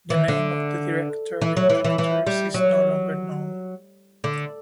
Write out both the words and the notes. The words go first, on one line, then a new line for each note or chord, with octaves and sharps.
The name of the director and actors is no longer known.
E3
D3
E3
F#3
E3
E3
E3
G3
F#3
D3